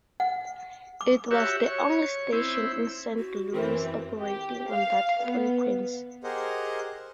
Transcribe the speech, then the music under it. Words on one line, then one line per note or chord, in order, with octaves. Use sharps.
It was the only station in Saint Louis operating on that frequency.
F#5
D6
F#4 G4 C#5 E5
C#5
C4 E4
F#4
F#2 E3 C4 A#4
G4
F5
B3
G4 G#4 A#4 C5 D#5 F#5